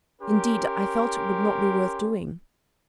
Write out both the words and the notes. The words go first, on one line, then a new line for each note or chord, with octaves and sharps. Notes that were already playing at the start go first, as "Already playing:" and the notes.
Indeed I felt it would not be worth doing.
C#4 G4 A#4 C6